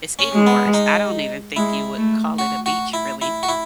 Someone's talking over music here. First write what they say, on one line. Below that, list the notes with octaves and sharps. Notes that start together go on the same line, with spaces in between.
it's even worse. I don't even think you would call it a beach, really.
C#4
G#3
B3
D#4
G#3 E4
A3
F#4
F#4
E4
E4
F#4
E4